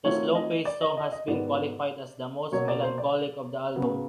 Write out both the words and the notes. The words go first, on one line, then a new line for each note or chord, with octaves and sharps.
The slow-paced song has been qualified as the most melancholic of the album.
D#3 F#3 A3 C4 F4 C#5
D#5
D5
D#5
D#5
D#5
G#2 D#3 F#3 B3 D5
B2 F#3 A#3 C#5
D5
C5
D5
C#3 F#3 B3